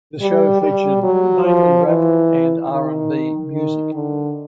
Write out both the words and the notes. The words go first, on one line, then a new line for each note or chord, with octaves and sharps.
The show featured mainly rap and R and B Music.
G3
G3
F#3
F3
E3
D#3
D#3
D3